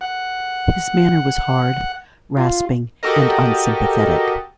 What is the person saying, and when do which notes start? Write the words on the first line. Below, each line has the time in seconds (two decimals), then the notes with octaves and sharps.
His manner was hard, rasping, and unsympathetic.
0.01 F#5
2.37 F4
3.03 F#4 G4 A4 A#4 D#5